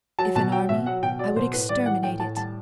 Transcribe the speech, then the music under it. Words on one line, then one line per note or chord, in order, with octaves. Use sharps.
If an army, I would exterminate it.
F#3 A5
B2 A5
F#3 G5
B2 E5
F#3 F#5
B2 G5
F#3 D5
B2 C5
A2 B4
G3 D5
E3 F#5
A2 G5
A2 A5
G3 A5